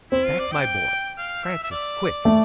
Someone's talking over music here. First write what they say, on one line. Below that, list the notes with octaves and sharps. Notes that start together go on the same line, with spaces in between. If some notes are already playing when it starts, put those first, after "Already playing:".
"Back, my boy! Francis, quick!"
C4 E4
F4
D5
G5
F5
E5
E5
D5
A3